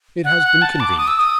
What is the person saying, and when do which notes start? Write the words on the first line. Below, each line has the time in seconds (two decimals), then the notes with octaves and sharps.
It has been convenient.
0.24 F#5
0.43 F#5
0.62 A5
0.80 D6
0.98 D#6
1.07 E6
1.19 D#6